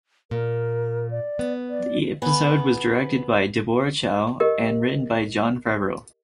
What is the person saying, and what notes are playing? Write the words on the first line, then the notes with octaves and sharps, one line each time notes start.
The episode was directed by Deborah Chow and written by Jon Favreau.
A#2 A#4
D5
B3
D5
B3 G#4
G4 A#4 D#5